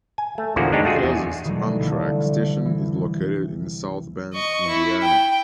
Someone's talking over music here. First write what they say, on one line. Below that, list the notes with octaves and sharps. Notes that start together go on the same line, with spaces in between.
The closest Amtrak station is located in South Bend, Indiana.
G#5
A3
E2 A#2 D3 F3 A#3 F#4
G#3 D4 D#4 G4
A3 F4 F#4 G#4
E2
B2 D#3 E3 F#3 G3 A3
C2 D3 E3 F3 G3 A3
E3
D#5 C#6
E4
G5